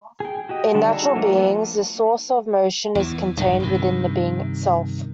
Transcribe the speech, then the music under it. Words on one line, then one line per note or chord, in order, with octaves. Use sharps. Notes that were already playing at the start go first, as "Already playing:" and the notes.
In natural beings, this source of motion is contained within the being itself.
G#4 G5
F#4 G4 D#5
D3 G3 D4
D#4 F#4 G#4 A4
F3 A3 A#3 D4
A#3 B3 A4 B4
E2 E3
A#1 G2 D#3
G2 C3 D#3